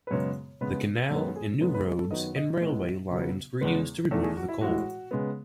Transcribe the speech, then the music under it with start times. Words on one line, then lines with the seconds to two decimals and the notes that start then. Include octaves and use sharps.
The canal and new roads and railway lines were used to remove the coal.
0.07 B4
0.11 F#2 C#3 G#3 B3 C#5
0.61 C#3 G#3 B3 B4
1.11 F#2 D#3 G#3 B3 A4
1.36 G#4
1.61 F#2 C#3 G#3 B3 A4
1.74 B4
1.87 G#4
1.98 A4
2.11 F#2 D#3 F#3 B3 D#5
2.36 D#5
2.61 A2 G#3 B3 D#5
3.11 C#3 F#3 B3
3.61 E2 C#3 G#3 B3 B4
4.11 E2 D#3 A3 A4
4.23 G#4
4.37 F#4
4.48 E4
4.61 A2 E3 G#3 F#4
5.11 C#3 G#3 B3